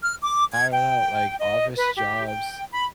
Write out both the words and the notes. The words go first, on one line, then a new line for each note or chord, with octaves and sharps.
I dunno. Like, office jobs
F6
D6
G#6
G5
D#5
B4
G4
G5
B5